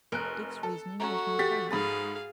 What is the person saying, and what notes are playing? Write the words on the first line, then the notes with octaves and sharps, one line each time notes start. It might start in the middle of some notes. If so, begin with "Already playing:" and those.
Dick's reasoning was not bad.
F1 A#4 F#6
A4
A3 C#4 F#4 A4 A#5
G4 A6 B6
G#2 G#4 F5 B5 A6